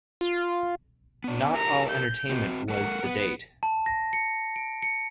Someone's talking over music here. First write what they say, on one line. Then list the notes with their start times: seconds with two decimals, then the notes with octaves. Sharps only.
Not all entertainment was sedate.
0.21 F4
1.24 B3 D4
1.55 G4 A4 A#4 A#5
1.90 G6
2.30 C4 F#4
2.69 G#3 A4 A#4 F#5
3.03 B3 B4
3.63 A5
3.86 A#6
4.13 C#7
4.56 D7
4.83 C#7